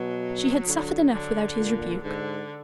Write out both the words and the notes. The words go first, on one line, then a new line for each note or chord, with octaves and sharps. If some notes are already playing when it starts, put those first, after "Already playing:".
She had suffered enough without his rebuke.
Already playing: B2 F#3
D3
D3
A#2
G#2 D3